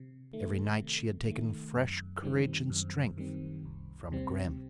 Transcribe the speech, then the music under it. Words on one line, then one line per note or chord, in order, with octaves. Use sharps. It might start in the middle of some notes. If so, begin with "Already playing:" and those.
Every night she had taken fresh courage and strength from Grimm.
Already playing: C3
D#3 A3
C3
D#3 A3
F#2
D#3 G3 C4
F#2
D#3 G3 C4
C2
C3 G3 C4